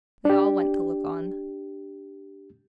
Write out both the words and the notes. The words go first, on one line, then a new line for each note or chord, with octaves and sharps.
They all went to look on.
D4 G4